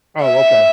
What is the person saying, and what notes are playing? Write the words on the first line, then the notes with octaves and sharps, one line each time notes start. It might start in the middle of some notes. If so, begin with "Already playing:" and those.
Oh, okay.
E5